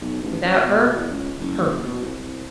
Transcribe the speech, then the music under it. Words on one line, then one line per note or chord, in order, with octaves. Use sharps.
Without her? Humph!
B1
A1
F#1
B2
E2
C#2
F#1
B2
C2
C2